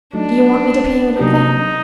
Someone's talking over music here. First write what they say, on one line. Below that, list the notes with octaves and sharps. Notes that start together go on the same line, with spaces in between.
Do you want me to pay you in advance?
F#3 A3 D4 D#4
C3 F#3 A#3 D4 D#4 G4